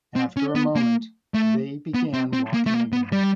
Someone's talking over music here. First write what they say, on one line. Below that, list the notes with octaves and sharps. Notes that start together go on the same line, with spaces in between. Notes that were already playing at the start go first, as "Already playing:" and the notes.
After a moment they began walking again.
C4
C#4
B3
A#3
A3
B3
C4
C4
A#3
A3
A#3
B3
G3